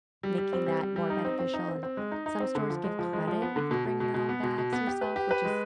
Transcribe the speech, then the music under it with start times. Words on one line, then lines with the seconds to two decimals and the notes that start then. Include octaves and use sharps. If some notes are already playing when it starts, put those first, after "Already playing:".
making that more beneficial, and some stores give credit if you bring your own bags yourself, which is
0.23 G3
0.38 G3
0.53 C4
0.66 G3
0.81 G3
0.96 G3
1.10 D#4
1.25 C4
1.39 C4
1.54 D#4
1.68 C4
1.83 C4
1.97 G#3
2.12 D#4
2.26 D#4
2.40 C4
2.55 D3
2.70 F3
2.84 G#3
2.99 F3
3.13 G#3
3.27 F3
3.42 B3
3.56 D3
3.71 B2
3.85 B2
4.00 B2
4.14 B2
4.29 B3
4.43 B2
4.58 B2
4.73 B3
4.87 G4
5.01 B4
5.16 G4
5.31 B4
5.45 G#3